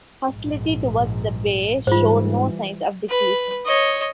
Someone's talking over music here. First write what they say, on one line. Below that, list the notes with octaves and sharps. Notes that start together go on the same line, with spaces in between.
Hostility towards the Bey showed no signs of decreasing.
A#1 G#2
G#2 E3 G3 F4 C5
B4
C#5 D#5